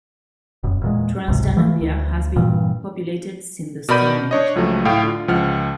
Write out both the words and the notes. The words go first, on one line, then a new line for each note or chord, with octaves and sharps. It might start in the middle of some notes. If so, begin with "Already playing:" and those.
Transdanubia has been populated since the Stone Age.
E1 F#2
E2 A#2 G#3
G#1 C#2 G#2 C3
E3 F3 G3 A3
D2
G2 A#2 E3
B2 A#4 D5 B5 G6 D#7
D4 C#5 D#5
C#2 F3 F#3 A3
A2 F5 G5
D3 F4
C#2 F3 F#5 F6